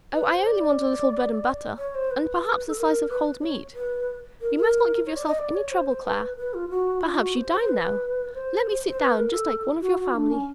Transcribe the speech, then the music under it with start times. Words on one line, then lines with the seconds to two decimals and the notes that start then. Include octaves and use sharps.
"Oh, I only want a little bread-and-butter, and perhaps a slice of cold meat--you must not give yourself any trouble, Clare--perhaps you dine now? let me sit down just like one of your family."
0.14 B4
0.31 C5
0.46 D5
1.78 C#5
1.95 C5
2.11 B4
2.68 A4
2.77 A#4
3.09 B4
3.42 C#5
3.75 B4
4.41 A#4
4.56 A#4
5.06 C#5
5.16 D5
5.27 D#5
5.39 D5
5.55 C#5
5.71 C5
5.89 C5
6.04 B4
6.37 B4
6.54 F4
6.70 F#4
7.02 F4
7.19 F#4
7.36 C5
7.52 C5
7.68 B4
8.34 C5
8.88 C5
8.99 B4
9.16 A#4
9.33 A4
9.81 F#4
9.98 F#4
10.14 D4
10.31 C#4